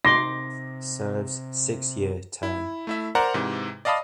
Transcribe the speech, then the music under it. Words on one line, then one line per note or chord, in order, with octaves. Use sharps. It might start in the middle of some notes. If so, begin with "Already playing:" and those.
Serves six year term.
C3 D#4 C6 D6 A#6
E4
A3 E4 E5
A#4 C5 D5 F#5 A#5
G#2 C3 E3
D5 D#5 F5 A5 B5 D#6